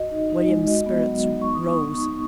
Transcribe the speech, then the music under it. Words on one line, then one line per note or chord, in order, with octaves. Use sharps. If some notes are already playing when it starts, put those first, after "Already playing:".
William's spirits rose.
Already playing: F#4 D#5
D#4
D#4
G#3
F#4 D#5
B3
F#3
D#4
B3 C#6
D#6
B3
C#6
B3
D#4